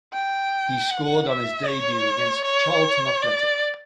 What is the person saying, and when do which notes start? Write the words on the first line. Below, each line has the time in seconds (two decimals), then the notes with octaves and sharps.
He scored on his debut against Charlton Athletic.
0.13 G5
0.91 F#5
1.29 E5
1.67 C#5
2.44 C#5
3.22 D5